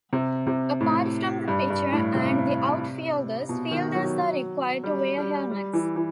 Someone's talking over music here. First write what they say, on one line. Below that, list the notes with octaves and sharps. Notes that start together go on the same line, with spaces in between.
Apart from the pitcher and the outfielders, fielders are required to wear helmets.
C3
C3
A2
G2
G2
A2
C3
B2
D#3
F#3
G3
G3
G3
E3
E3